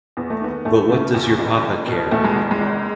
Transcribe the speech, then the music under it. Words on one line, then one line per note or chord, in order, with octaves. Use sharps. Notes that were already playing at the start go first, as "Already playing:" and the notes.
But what does your papa care!
E2 B3
A3
D#3 B3
E2 A3
C#3
E2
F#1
F#1
B2
E2 A3
G#3
F#1
G#3
G#1